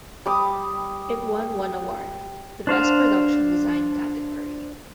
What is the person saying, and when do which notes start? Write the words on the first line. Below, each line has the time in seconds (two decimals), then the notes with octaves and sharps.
It won one award - the Best Production Design category.
0.26 G3 D6 D#6
2.67 D4 C5 F5